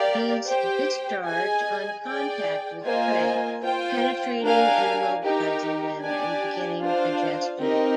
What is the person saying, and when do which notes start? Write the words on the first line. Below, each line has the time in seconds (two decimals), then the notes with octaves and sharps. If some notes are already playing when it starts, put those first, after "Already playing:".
These discharge on contact with prey, penetrating and immobilizing them, and beginning digestion.
Already playing: G4 A#4 D5 F5
0.47 G4 C5 G5
1.26 G#4 D#5 G#5
2.05 G#4 D5 G5
2.85 A#3 F4 C5 D#5 G#5
3.63 F4 C5 G5
4.43 D4 G4 A#4 F5 G#5
5.22 D#4 G4 A#4
6.02 D4 G4 D5 G#5
6.81 D4 F4 C5 F5
7.60 C4 D#4 G4 A#4 D#5